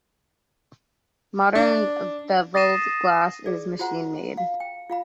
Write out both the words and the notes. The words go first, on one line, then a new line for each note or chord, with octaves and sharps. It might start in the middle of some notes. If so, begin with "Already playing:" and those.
Modern beveled glass is machine made.
D4
D#6 A6 A#6 C7 D#7 E7
G#4 D5
F4 F#4 C5 F#5 A#5
F5
G5
F4 F5 B5